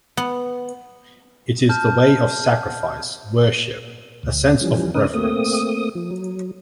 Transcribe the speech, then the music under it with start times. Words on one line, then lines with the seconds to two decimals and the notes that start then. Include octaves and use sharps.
It is the way of sacrifice, worship, a sense of reverence.
0.17 B3
1.69 A5 F6 G6
4.23 D2
4.61 E3 F3 G3 C#4
4.94 C#3 C#4 D#4 A#4 B4 D#6
5.14 A3 A#3 C4 D#6
5.95 F3
6.11 F#3